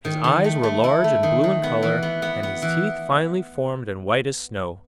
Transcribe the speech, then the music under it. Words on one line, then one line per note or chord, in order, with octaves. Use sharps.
His eyes were large and blue in color and his teeth finely formed and white as snow.
D#3
D#3
A3
A3
E4
A3
D#3
D#3
B3
E3
B3
B3
B3
E3